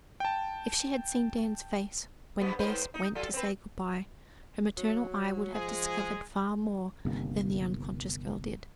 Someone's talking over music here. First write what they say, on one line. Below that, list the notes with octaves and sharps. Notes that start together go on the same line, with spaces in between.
If she had seen Dan's face when Bess went to say good-bye, her maternal eye would have discovered far more than the unconscious girl did.
G5 A5
G2 B3
G#2 B4 C5
D#4
F#3 F4 A4
C4 B4
F#3
F3 G#3 G#4
G1 C3 D#3 A#3